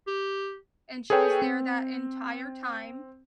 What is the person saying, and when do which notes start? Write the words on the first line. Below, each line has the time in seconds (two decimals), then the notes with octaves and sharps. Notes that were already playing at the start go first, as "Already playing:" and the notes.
and she was there that entire time,
0.07 G4
1.10 G#4 A4 B4 C#5 G5
1.42 C4